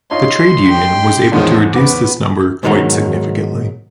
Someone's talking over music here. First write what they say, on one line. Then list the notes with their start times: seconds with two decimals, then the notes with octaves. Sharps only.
The trade union was able to reduce this number quite significantly.
0.11 D#4 F4 C#5 C6
0.70 G4 G5
1.32 E2 G#2 D#3 F3 G#3 C#5
1.74 B3 D6
2.63 G#2 B2 D#3 F3 F#3 G#3